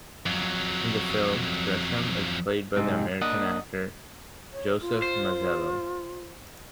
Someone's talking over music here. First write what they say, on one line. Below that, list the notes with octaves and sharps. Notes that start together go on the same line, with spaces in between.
In the film, Gresham is played by the American actor Joseph Mazzello.
F2 F#3
G#2 C3 C4
A#3 D4 D#5 F#5
C#5
F4
C5